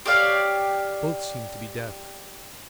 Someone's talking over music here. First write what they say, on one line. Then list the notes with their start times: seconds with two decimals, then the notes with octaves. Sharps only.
Both seemed to be deaf.
0.06 G4 C#5 D5 F5